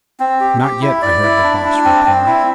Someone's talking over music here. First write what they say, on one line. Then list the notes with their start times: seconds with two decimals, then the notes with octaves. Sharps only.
"Not yet," I heard the Boss reply.
0.20 C4
0.40 G4
0.61 G4
0.82 E4
1.02 D5
1.23 E4
1.43 D4
1.64 D4
1.84 C4
2.06 C4
2.26 E4